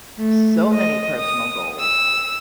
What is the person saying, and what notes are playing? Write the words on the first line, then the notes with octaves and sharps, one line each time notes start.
so many personal goals,
A3
D#5
D#6
E6